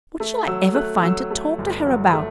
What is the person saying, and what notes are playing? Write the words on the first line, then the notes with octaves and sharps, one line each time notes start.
What shall I ever find to talk to her about?
A3
F#3 E6
A3 F#6
F#3 E6
A3
G1
F#3
A3